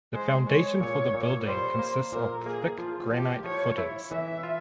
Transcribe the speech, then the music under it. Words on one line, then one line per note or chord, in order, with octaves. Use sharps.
The foundation for the building consists of thick granite footers.
G#3 C5
G#3 C#5
A#2 C#5
A#2
G3 C5
A#3
A#2 A#4
A#3 G#4
F3 F4
F3 G4
F3 C#5
E4
E3 E5
F4